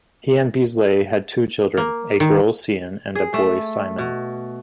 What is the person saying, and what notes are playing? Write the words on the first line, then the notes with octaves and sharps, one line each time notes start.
He and Beazleigh had two children, a girl Sian and a boy Simon.
A#3
D#3
G#4
A3
B2